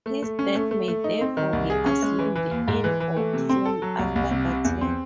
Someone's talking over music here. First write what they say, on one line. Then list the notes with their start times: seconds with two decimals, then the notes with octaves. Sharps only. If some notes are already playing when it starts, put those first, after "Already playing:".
His death may therefore be assumed in or soon after that year.
0.06 A3
0.22 A3
0.39 C#4
0.55 A3
0.71 A3
0.88 A3
1.04 D#4
1.21 C4
1.37 D#3
1.53 C2
1.70 G#4
1.86 C#4
2.02 G#3
2.19 E3
2.35 E3
2.51 D#2
2.68 G#2
2.84 E3
3.00 E3
3.16 A3
3.33 C3
3.49 C4
3.66 A4
3.82 F#3
3.99 C2
4.15 C2
4.31 C3
4.48 C3
4.65 E2
4.81 C4